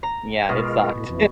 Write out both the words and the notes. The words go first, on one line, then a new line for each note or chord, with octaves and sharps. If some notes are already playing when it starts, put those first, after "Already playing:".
Yeah, it sucked.
A#5
B2 G#3 F4 A#4
A2
F2 E3